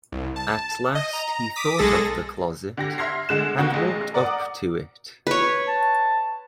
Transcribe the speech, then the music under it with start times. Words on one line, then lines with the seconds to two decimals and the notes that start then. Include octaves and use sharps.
At last he thought of the closet, and walked up to it.
0.12 C2
0.36 A5
0.95 D#5
1.13 A#5
1.56 D6 D#6 B6
1.78 B1 G#3 G#4 A4 A6 A#6
2.77 D3 G4 A#6
2.98 E5 C6 F6 G#6 A#6 C7
3.29 D3 G#3 F#6 E7
3.58 D#2 B2 F#4
3.74 A1 G#3
4.14 A#4 D5 F#5 D6 D#6
5.27 B4 C#5
5.68 A5